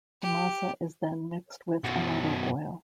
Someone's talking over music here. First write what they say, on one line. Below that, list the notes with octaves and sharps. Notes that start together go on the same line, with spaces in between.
The masa is then mixed with annatto oil.
G4
F#2 B2